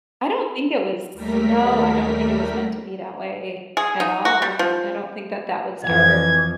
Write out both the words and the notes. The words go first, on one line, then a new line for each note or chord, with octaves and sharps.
I don't think it was no, I don't think it was meant to be that way at all, m I don't think that that was our
D#2 G3 A3 A#4 B6
G#4
D#4
F#4
G3
F3
F2 E3 F3 G#6